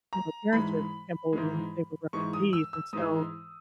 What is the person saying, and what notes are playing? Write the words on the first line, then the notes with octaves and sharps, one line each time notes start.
her parents are Cambodian, they were refugees, and so
A#5
G#2 E3 G#3 B5
G#2 E3 G#3
G#2 E3 G#3 C#6
D#6
E6
E6
G#2 E3 G#3 D#6